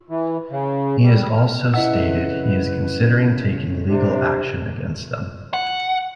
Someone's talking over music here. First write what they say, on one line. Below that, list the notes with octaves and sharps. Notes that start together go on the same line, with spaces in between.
He has also stated he is considering taking legal action against them.
E3
C#3
G3
F6
C#3 E4 B4 D#5 E5 F#5 E6
C3 D4
F#5